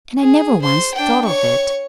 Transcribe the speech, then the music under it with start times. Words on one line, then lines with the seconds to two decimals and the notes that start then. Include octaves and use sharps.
"And I never once thought of it."
0.21 G#4
0.62 C5 C6
0.95 D4 G5
1.25 C#5 C#6